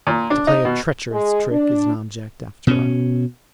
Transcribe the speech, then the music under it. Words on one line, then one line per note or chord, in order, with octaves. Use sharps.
To play a treacherous trick is an object after all.
A#2
D4
D#4
B2
G#3
D4
B2 C#4